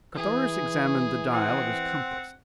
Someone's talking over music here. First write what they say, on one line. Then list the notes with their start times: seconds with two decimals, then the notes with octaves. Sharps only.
Carthoris examined the dial of his compass.
0.16 E3 G#4
1.32 C4 F#5